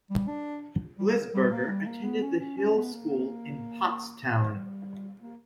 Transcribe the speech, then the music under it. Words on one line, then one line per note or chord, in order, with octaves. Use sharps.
Lisberger attended The Hill School in Pottstown.
G3
D4
G3
G3
A#3
G3
A#3
B3
C#4
C#4
C#4
B3
A#3
G3
A#3